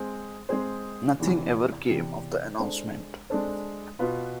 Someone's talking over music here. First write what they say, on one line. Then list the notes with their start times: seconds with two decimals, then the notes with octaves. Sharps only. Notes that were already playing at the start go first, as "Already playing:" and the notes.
Nothing ever came of the announcement.
Already playing: G#3 C4 G#4 C5
0.49 G#3 C4 G#4 C5
1.20 E2 C3 E3
1.89 E2 C3 E3
2.59 G#3 D4 A4 C5
3.30 G#3 D4 A4 C5
3.99 B2 B3 F4 B4